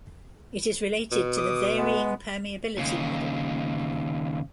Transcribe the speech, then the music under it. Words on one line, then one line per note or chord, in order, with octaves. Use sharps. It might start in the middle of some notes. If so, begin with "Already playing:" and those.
It is related to the Varying Permeability Model.
B2
D6 D#6
G#3 B3
D#2 C#3